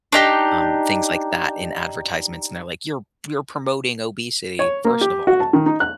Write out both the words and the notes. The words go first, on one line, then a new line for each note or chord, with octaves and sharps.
um, things like that in advertisements, and they're like, "You're you're promoting obesity." First of all,
D4 D#4 G4
C#5
A#3
G4
F#4
A5
D#3
D#4
F#6